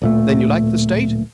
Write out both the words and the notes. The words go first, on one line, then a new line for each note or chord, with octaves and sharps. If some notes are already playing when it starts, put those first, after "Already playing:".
"Then you like the State?"
D1 A#2 A3